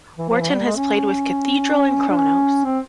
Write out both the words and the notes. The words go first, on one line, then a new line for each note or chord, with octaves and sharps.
Wharton has played with Cathedral and Cronos.
E3
F3
E3
G3
G#3
C#4
D4
C#4
C4